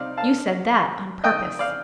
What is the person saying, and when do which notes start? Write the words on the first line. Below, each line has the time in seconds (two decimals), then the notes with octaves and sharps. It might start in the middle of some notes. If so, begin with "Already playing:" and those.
You said that on purpose!
Already playing: C3 G3 C4 D#4 D5 F5
0.17 F5 A5
1.24 D#5 G5
1.59 D5 F5